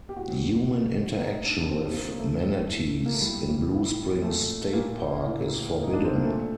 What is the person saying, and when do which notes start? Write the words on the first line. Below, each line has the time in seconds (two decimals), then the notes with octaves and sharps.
Human interaction with manatees in Blue Spring State Park is forbidden.
0.09 G4
0.16 A2 F#4
0.67 A2
1.18 A#2 D#4
1.43 D4
1.59 D4
1.69 A#2 C4
1.94 A#3
2.12 A#3
2.19 A2 A3
2.70 A2
3.06 A#3
3.13 A3
3.21 A2 G3
3.71 A2
4.22 A#2 A3
4.73 A#2 A#3
5.24 A2
5.75 A2
5.83 D#4
5.94 D4
6.04 C4
6.15 A#3
6.25 A#2 A3